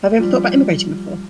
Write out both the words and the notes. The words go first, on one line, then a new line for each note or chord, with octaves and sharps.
Have you ever thought about emigrating before?
F3 G3